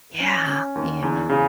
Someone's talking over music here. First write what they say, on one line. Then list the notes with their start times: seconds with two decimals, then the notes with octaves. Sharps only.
Yeah, yeah.
0.20 C#4
0.47 C#4
0.75 D#2
1.02 E2
1.29 C#3